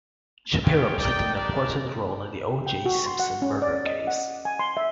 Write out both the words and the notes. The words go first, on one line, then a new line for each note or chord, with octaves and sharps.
Shapiro played an important role in the O. J. Simpson murder case.
B3 C#4 F4 C#5 G5
D#4 D5 G5
D4 D#4 G4 A#4 D5 D#5
G5
F#4
C6
F#5
C#4
D5
D#5
F#5
G#5
C6
E5